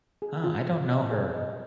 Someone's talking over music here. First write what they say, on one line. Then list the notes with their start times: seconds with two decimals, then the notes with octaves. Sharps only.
Uh, I don't know her.
0.22 G#4
0.44 F4
0.67 F4
0.89 D#5
1.11 G#4
1.34 D#5